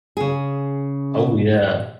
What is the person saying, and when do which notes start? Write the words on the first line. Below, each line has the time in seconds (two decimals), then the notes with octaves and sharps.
Oh, yeah.
0.17 C#3 G#4